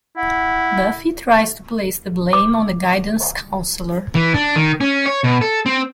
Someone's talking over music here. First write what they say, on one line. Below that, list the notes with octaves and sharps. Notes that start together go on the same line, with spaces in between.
Buffy tries to place the blame on the guidance counsellor.
E4 F#5
D6
E3
D4
D#3
C#4
C#5
B2
A4
C4